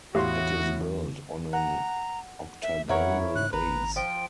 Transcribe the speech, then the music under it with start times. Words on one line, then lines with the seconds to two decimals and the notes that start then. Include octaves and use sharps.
It is built on an octagonal base.
0.15 E2 A2 F#4 G4 F5 C6
1.53 F#5 A#5
2.63 E5
2.89 F2 E4 A#4 C#5 F#5
3.35 G#2 F#6
3.53 G#1 B4 A#5
3.96 F3 G5